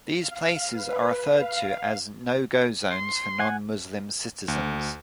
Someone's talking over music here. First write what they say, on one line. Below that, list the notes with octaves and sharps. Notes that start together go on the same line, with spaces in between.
These places are referred to as "No-go Zones" for non-Muslim citizens.
F5
B4
F5
C6
F#5 G#5
D2